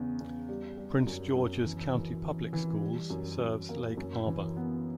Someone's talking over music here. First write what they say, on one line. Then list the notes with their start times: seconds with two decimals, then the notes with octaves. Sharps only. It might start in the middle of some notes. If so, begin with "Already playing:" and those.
Prince George's County Public Schools serves Lake Arbor.
Already playing: E2 C#3
0.20 E2
0.49 G3
0.77 G3
1.07 F#2
1.36 F#2
1.65 E3
1.94 E3
2.24 E3
2.53 E3
2.81 G3
3.10 F#2
3.39 F#2
3.69 A#3
3.97 F#2
4.26 E3
4.56 B3